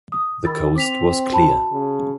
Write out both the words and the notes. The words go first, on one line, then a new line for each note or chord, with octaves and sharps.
The coast was clear.
D#6
D#3 B5 E6 A6
C4 D6 B6 F7
F#4 A5 B5
C#3